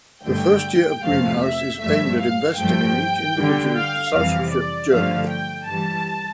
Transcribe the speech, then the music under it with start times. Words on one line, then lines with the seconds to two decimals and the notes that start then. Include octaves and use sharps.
The first year of Greenhouse is aimed at investing in each individual’s discipleship journey.
0.25 G2 D3 A3 G5
1.03 F2 C3 F3 A3 F5
1.42 E5
1.80 G2 F3 A3 E5
2.20 F5
2.58 G2 F3 A3 G5
3.36 G2 D3 G3
3.75 F5
4.13 F2 C3 E3 G3 F5
4.51 D5
4.91 G2 D3 F3 A3 F5
5.30 G5
5.68 G2 E3 G3 A5